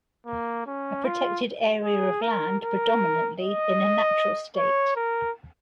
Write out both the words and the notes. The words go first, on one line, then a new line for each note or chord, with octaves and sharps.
A protected area of land predominantly in a natural state.
A#3
C#4
F4
G#4
A#4
A#4
D#5
C#5
A#4